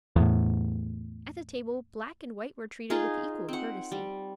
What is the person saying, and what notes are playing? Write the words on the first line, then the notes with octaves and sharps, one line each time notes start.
At the table black and white were treated with equal courtesy.
E2 A2
D#4 F4 G#4
C4 F#5
G3